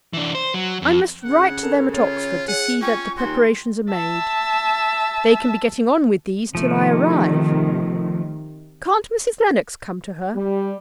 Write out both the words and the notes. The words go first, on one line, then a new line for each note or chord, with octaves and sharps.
I must write to them at Oxford, to see that the preparations are made: they can be getting on with these till I arrive. Can't Mrs. Lennox come to her?
E3 D4
C5
F#3
F2
C#3 F#5
A4 A#4
F4 C#5
G#4 F#5
C#4 F4 G5 G#5 C#6
D#2 F#4 C6
E5 A5
C3 D#3 F3 A3
G3